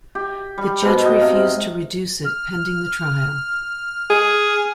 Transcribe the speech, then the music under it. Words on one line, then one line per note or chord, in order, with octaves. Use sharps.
The judge refused to reduce it, pending the trial.
G4
G3
G#2 B2
B2 D#5
C3 F5
F6
G#4